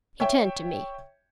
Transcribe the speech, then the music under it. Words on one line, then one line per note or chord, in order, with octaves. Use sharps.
He turned to me.
C#5 E5 G5